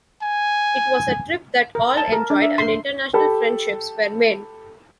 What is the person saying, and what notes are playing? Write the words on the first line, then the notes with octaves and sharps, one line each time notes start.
It was a trip that all enjoyed and international friendships were made.
G#5
A#4
A5
A#4
D4
E5
C6
G4 A4 B5